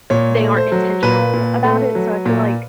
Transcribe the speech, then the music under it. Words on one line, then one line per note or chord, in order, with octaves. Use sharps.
they aren't intentional about it. So I feel like
A#2 C#5
A3
C5
F#3
A#2 B4
A#2
A3
F#3
A#2